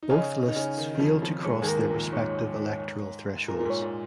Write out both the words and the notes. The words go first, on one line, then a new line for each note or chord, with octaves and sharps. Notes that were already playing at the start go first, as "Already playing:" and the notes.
Both lists failed to cross their respective electoral thresholds.
D#4
C#3 C#4 D#5
D#4
C#3 C#4
D#3 D#4
D#3
F2 F3
F2 F3
G#2 G#3 C#5
D#2 D#3 G#4
A#4
A#2
A#4
G#2
G#2 C#5
A#2 A#4
A#2 A#4
G#2 C#5
A#2